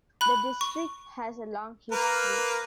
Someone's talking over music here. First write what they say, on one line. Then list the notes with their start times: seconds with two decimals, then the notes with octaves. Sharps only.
The district has a long history.
0.21 B5 F#6
0.61 C#6
1.92 A#3 A#4 B4